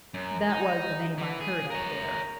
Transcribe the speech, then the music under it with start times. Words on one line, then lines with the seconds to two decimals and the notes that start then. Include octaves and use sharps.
That was the name I heard up there.
0.14 F#2
0.49 D#4
1.18 E3
1.40 G#4
1.70 A#4 C#5